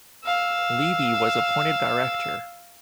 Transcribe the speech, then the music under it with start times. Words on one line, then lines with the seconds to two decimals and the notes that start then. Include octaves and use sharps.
Levy was appointed director.
0.24 F5 E6